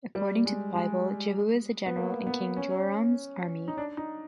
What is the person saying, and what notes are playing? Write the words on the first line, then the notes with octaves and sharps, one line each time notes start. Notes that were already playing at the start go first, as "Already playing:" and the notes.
According to the Bible, Jéhu is a general in King Joram’s army.
G3
G#3
G#3
B3
A#3
B3
C#4
D#4
D4
D#4